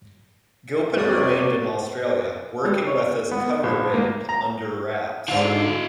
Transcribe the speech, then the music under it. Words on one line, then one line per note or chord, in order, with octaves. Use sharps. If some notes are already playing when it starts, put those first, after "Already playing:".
Gilpin remained in Australia, working with his cover band Under Rapz.
F2 G3 A#3 F#4 C#5 D5 D#6
G3
C#5
B3
A#1
A#3
A#5
G#2 D3 E4 F5